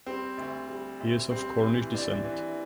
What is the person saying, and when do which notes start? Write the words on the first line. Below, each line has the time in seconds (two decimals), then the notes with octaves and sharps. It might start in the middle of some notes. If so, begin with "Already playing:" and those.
He is of Cornish descent.
0.06 G3 C4
0.38 D2
0.68 G3
1.00 D2
1.31 G3 C4
1.62 E3
1.94 E3 D4
2.24 E3